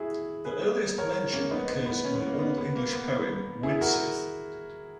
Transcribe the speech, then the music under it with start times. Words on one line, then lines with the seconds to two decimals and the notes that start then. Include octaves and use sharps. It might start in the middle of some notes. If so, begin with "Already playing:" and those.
The earliest mention occurs in the Old English poem "Widsith".
Already playing: E4 F#4 G#4
0.45 G#4 B4
0.98 A#4 C#5
1.33 A#3 C#4
1.51 B3 D#4
1.69 B3
1.86 B3
2.04 C#4
2.15 B3
2.27 A#3
2.39 B3
2.58 B3
2.75 A#3
2.93 B3
3.63 E4 G#4
3.81 F#4 A#4